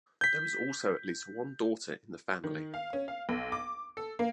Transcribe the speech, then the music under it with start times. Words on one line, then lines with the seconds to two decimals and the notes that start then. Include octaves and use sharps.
There was also at least one daughter in the family.
0.21 G6 B6
2.44 D#3
2.74 F5
2.93 C#4
3.08 F5
3.29 B1
3.52 D6
3.97 A4
4.19 A#3